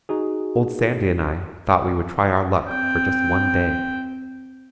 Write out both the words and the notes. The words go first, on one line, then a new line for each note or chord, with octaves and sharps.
Old Sandy and I thought we would try our luck for just one day.
D#4 F#4 G#4
C4 G5